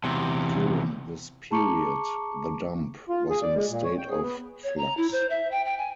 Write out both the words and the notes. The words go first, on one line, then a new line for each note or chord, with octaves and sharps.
During this period, the dump was in a state of flux.
E2 C3
G#4 A5 A#5 C#6 D6 C#7
F4
G#4
D5
G#3
A#2
C#5
G5
G#4
B3
C#5
A#5
E4
C5
E5
G5
G5
G#5